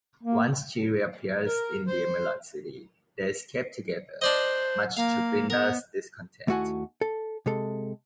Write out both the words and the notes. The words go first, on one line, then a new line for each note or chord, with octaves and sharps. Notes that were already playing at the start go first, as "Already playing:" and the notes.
Once she reappears in the Emerald City, they escape together, much to Glinda's discontent.
A#3
A#4
C5
D4 C5 D5 D#5
A#3 F5
B3 A#4
D#2 A3 E4 F#4 F#5 G#5
A4
C3 G#3 A4